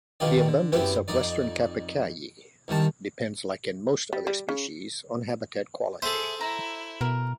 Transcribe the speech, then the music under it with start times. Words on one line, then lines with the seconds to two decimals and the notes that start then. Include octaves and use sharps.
The abundance of western capercaillie depends-like in most other species-on habitat quality.
0.20 A#1 B2 D#3 F4 G4 D5
0.48 D3
0.72 F#2 B3 C4 E4 G4
1.08 F2 D#4 D5
2.68 C2 C3 D#3 A5
4.13 G3
4.27 G3
4.49 C#3
6.02 G#4 A4 C5 E5
6.41 E4 A#5
7.01 B2 A#4